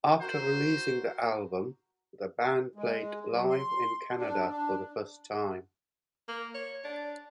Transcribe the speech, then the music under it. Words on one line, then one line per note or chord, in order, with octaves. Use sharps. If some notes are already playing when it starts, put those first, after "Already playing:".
After releasing the album, the band played live in Canada for the first time.
F#4 A#4 C5
G#3
F#3
C6
D4
D4
A#3
C#5
D4